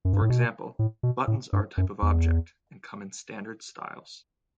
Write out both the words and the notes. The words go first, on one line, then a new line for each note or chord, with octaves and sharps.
For example, buttons are a type of object, and come in standard styles.
F#2
G2
A2
B2
A2
B2
A2
G2
F#2
E2